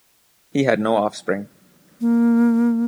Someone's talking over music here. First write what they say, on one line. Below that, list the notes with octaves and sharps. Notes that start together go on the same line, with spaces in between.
He had no offspring.
A#3